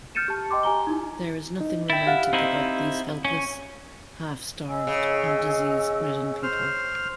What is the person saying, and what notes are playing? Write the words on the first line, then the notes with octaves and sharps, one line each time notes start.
There is nothing romantic about these helpless, half-starved, and disease-ridden people.
F6 G6 A6 C#7 D#7 E7
G4 A5
D#5 G5 C6 D6
G4 G#5 A#5 G7
D#4 E4
D#4
E4 G5 A6
G4 F5 F#5
C4 D#4 E4
C#4
D#5 G#5 E6
C#3
C5 F6